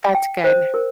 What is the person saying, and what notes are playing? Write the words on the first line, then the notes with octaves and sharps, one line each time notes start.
That's good.
G5
C5
A#4